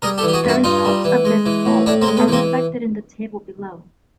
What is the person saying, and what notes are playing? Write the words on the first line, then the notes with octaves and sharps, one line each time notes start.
The results of this poll are reflected in the table below.
G3 G#4 A#4
G4 A4
E3
G4
F#4 G#4
G2 E4 F#4
G2 D#4 F4
G3
E3
G#3
E3
A2
A2 D4 E4
A#3 C4
G#3
B3
E3 A#3 C4